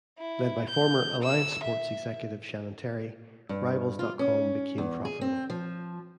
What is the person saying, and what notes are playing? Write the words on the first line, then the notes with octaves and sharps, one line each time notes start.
Led by former AllianceSports executive Shannon Terry, Rivals dot com became profitable.
E4
G6
E6
E5
G2
F4
C#4
E2
G#4
C4
F3